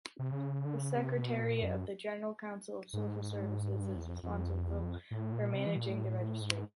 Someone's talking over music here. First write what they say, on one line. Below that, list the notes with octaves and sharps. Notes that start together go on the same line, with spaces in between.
The secretariat of the General Council of Social Services is responsible for managing the registry.
C3
C#3
D3
C#3
C3
B2
A#2
F#2
G#2
G2
E2
F2
F2
E2
F2
A2
A#2
C3
E3
A#2
A2
G#2